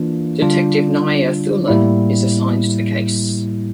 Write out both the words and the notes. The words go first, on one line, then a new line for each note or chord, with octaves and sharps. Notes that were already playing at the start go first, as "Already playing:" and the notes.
Detective Naia Thulin is assigned to the case.
Already playing: E3 A#3 D4 F4
D3 G3 D4 F4
A2 G3 A#3 E4